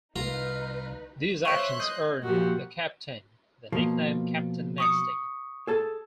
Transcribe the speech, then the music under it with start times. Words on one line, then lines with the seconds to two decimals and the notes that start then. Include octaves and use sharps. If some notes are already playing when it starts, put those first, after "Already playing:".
These actions earned the captain the nickname "Captain Nasty".
0.16 C2 D#4 F4 A#4 B4 A#5
1.45 C5 C#5 E5 F5 C6 F#6
1.80 D#5 G6
2.23 A#2 F3 F#4 G4
3.72 B2 F3 A#3
4.78 C#6 D#6 C#7
5.67 G#4 A4 A5